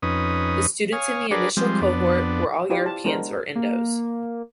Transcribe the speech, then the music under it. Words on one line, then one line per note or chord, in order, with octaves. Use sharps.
The students in the initial cohort were all Europeans or Indos.
F2 C#4 D#4 B4 D#6
C#5 F5 G#5 D#6
D4 F#4 G#4 A#4 B4 D5
F3 G3 G#3 C4
F2 B3 D4
E4 F4 G4 B4 C5 D5
A5
G#3 B3 D4 A#4 C5
A#3